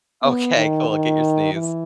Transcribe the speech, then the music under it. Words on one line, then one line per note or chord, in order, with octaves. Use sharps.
Okay, cool. Get your sneeze.
B3
D#3
D#3
E3